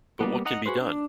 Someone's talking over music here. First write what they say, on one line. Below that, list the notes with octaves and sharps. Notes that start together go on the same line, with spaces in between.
But what can be done?
G3 A#3 B3
D#4 D#5 F#5 A#5
F#4 G#4 B4 C5
D4